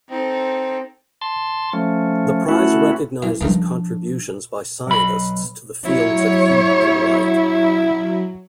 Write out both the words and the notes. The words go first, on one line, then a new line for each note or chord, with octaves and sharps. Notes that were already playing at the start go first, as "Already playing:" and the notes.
The prize recognizes contributions by scientists to the fields of heat and light.
C4 D#4 A4
A5 C6
F3 A3 C#4
A3 B3 C#4 E4 F#4
F#2 E3
C#2 G2 D#3 F3 D4
B1 B5
F#3 E4 C#5